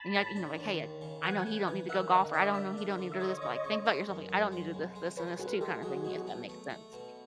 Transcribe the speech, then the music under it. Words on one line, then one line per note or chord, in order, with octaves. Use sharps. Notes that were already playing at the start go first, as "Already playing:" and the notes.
and, you know, like, "Hey, I know he don't need to go golf," or, I don't know, "He don't need to do this." But, like, think about yourself, like, "I don't need to do this, this and this too," kinda thing, if that makes sense
Already playing: A5 B5
A2
D4
D#2
D#2
C#3
E3 F#5 G#5
C#3
E3
A#3 E5 F#5
D3 D#5 F5
D4 D5 E5
A#3
D4
D3
E5
F3 C#5 D#5
F3
C#3
G#3
F#2
F#2
G#3
C2
G#3
G#3 B4 C#5
C2 F#4 G#4
B4
A#4
G#3 G4 A4
A4
F#3 F#4 G#4
B2
A3
A3
A3
B2